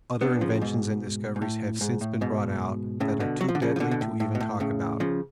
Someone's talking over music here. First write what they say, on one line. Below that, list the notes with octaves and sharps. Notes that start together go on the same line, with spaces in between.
Other inventions and discoveries have since been brought out that are too deadly to even talk about.
B3 D4
C#3 F3
G#2 B2
G#2
A2
G#2
A2
G#2 B2
A2 C#3
B2 D3
F#3
F3
D3
C#3 F3
F3
B2 D3
B2
A2
A2
B2
A2
A2 C#3
C#3 F3